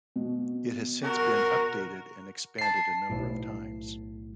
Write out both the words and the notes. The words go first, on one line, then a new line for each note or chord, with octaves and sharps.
It has since been updated and expanded a number of times.
B2
F#4 A#4
A5 C7
B1 A2